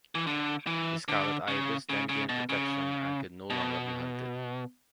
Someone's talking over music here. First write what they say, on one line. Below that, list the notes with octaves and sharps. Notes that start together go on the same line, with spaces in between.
The Scarlet Ibis then gained protection and could no longer be hunted.
E3
D3
E3
D3
C#3
C#3
C#3
B2
C#3
B2